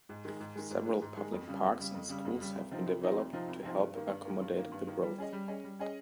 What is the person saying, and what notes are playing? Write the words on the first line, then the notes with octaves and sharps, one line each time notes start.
Several public parks and schools have been developed to help accommodate the growth.
G#2
D#3 G#3
G#2
D#3 G#3
G#2
D#3 G#3
G#2
D#3 G#3
F2
C#3 G3
F2
C#3 G3
F2
C#3 G3
F2
C#3 G3
C2
C3 F3 C4 D#4
C2
C3 F3 C4 D#4
C2
C3 F3 C4 D#4
C2
C3 F3 C4 D#4
G2
D#3 A#3
G2
D#3 A#3
G2
D#3 A#3
G2
D#3 A#3
G3
C#4 G#4 D#5
G3
C#4 G#4 D#5
G3
C#4 G#4 D#5